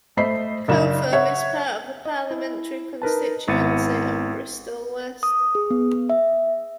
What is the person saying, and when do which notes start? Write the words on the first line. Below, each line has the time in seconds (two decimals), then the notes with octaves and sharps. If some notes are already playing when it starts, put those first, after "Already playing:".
Cotham is part of the parliamentary constituency of Bristol West.
0.17 A3 C5 D#5 B5 C7
0.68 F#2 C#3 D4 D#4 E7
1.13 C#5 E5 F#5
2.05 D#5
2.31 E4
3.02 D#4 A#4 B4 A5
3.48 G#1 B3 E4 A6 C#7 D#7
5.23 D#6
5.55 G#4
5.70 B3
6.10 E5